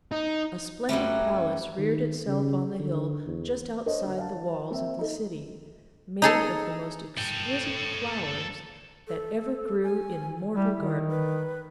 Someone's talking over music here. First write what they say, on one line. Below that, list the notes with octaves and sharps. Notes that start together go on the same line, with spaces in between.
A splendid palace reared itself on the hill just outside the walls of the city, made of the most exquisite flowers that ever grew in mortal garden.
D#4
F#2 F#3 G3 A3
D#3
C#3
D3
E2
D4 A#4 C5 C#5 D#5
D3 F#3
F5 A5
A#3 C4 E5
D#4 A4
D#4 G#4 A4
A4 G5
A4
G#5
G3 E4
D#3
B4